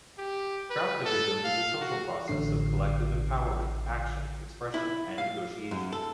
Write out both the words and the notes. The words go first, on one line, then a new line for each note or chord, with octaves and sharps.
Craftivism is a social process of collective empowerment, action, expression and negotiation.
G4
B4
A4
F5
F#4
A1 D3 C7
E4
F5
F#2
A4